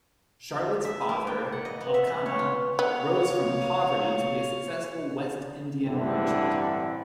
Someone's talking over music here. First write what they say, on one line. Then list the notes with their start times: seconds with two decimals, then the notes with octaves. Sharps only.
Charlotte's father, Elkanah, rose from poverty to be a successful West Indian merchant.
0.85 E5
1.09 A#3
1.27 G5
1.52 F#5
1.65 D#5
1.81 B3
1.94 E5
2.07 B4
2.26 C#5
2.39 F4
2.79 B3 C#5 F5
5.85 A1 G2 D3 C4 E4